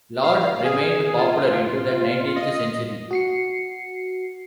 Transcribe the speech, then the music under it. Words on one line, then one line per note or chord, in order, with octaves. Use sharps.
"Laude" remained popular into the nineteenth century.
F5
G#4
F4
D#5
F#4 C7 C#7